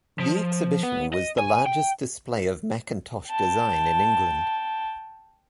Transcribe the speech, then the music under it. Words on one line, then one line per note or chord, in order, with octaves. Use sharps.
The exhibition was the largest display of Mackintosh design in England.
F3
B3
D#5
G#5
G5
G5 A5